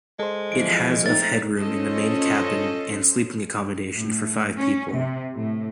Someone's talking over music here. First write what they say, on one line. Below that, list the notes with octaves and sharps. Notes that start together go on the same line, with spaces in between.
It has of headroom in the main cabin and sleeping accommodation for five people.
G#3 A4 C5
E3 F3 D7
A3 C4 D#4 A6
C#4 F4 A4 C5 D#5
A2
C#4
C3
A2